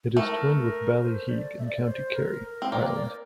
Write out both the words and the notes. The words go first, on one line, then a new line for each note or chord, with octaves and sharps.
It is twinned with Ballyheigue in County Kerry, Ireland.
A3 A#4
A#4
C5
D5
E5
D5
C5
A#4
A#4
C4
A#3 D5
D5
A#4